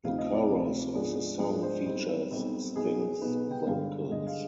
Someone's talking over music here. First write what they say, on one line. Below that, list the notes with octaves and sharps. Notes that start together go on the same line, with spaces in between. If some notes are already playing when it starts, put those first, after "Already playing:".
The chorus of the song features Sting's vocals.
D2 C3 F3 C4 D#4 F5
D#5
D5
D2 C3 F3 C4 D#4
G#2 F3 B3 D4 G#4
G#2 F3 B3 D4 G#4
C5
B1 B2 G3 C4 D#4
B1 B2 G3 C4 D#4
B1 B2 B3 D#4 G#4
G#4
B1 B2 B3 D#4 B4
G5
G2 D3 G#3 F5
G2 D3 G#3 D#5
F5